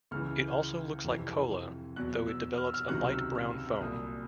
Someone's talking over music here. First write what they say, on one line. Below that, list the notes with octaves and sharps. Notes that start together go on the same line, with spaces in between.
It almost looks like cola, though it develops a light brown foam.
C#2 C#3 E3 F6
F2 C3 E3
E2 B2 F#3 F#6
E6
F6
E6
F6
C#2 C3 D#3 F#3 F#6
E6
F6
E6
C2 A#2 F#3 D#6